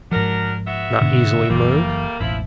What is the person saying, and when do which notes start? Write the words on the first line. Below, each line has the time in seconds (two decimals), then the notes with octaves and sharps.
"Not easily moved?"
0.12 G#2 F3 F#3 D4 A#4
0.67 B3 F#4 E5
1.01 G#2 B2 D3
1.50 F#1 E3 G3 A3 A#3
2.20 E1 A1 F3 E4